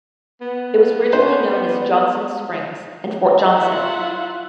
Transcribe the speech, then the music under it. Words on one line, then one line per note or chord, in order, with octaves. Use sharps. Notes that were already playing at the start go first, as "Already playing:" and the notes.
It was originally known as Johnson's Springs and Fort Johnson.
B3
C5
E4 F4 E5 F#5 F#6